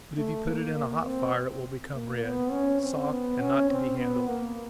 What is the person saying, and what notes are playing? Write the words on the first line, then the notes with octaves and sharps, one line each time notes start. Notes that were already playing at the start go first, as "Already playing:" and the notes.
But, if you put it in a hot fire it will become red, soft, and not to be handled.
A3
A#3
A#3
C4
A#3
B3
C#4
C4
B3
C#4
C4
B3
A#3